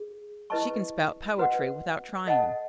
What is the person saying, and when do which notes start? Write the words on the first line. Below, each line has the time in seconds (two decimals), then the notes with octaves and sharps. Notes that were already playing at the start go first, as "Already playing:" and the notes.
"She can spout poetry without trying."
Already playing: G#4
0.50 E4 B4 D#5 A5 C#6
1.38 F#4 B4 D#5 F#5
2.26 A4 D#5 F#5 A5